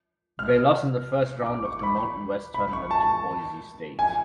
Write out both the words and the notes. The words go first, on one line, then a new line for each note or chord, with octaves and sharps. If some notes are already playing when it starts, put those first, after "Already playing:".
They lost in the first round of the Mountain West Tournament to Boise State.
F6
D6
C#6
B5
B5
C#6
A5
G#5